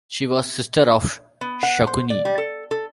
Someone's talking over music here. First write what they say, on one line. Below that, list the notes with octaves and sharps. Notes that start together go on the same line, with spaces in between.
She was sister of Shakuni.
B3
F#5
C5
D5
G3
A4
A4